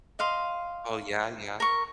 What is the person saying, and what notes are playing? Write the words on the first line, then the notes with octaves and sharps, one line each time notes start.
Oh, yeah, yeah.
D#5 F5 C6
A#4 C#6